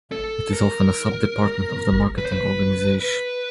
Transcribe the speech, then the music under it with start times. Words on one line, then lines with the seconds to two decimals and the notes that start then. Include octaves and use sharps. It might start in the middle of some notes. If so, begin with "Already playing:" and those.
It is often a sub-department of the Marketing organization.
0.12 A4
0.53 A#4
2.18 B4
2.26 C5
2.32 B4
3.00 B4